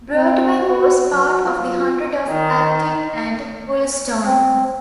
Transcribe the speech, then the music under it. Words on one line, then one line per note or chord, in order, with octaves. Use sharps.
Broadway was part of the hundred of Abdick and Bulstone.
C4
F#4
F#3
F4
D#3
C4